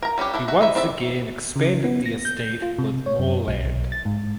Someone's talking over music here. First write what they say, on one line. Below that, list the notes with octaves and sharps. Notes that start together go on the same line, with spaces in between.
He once again expanded the estate with more land.
A#4 A#5
G3 C#4 D4 G4
D4 E4 A4
F#4 E5
D#4 E4 E5
C4 E4 D5 E5
C#3
B3
A#6
G6
F4
C3
C#5
F#2
B1
B1
A6
G#2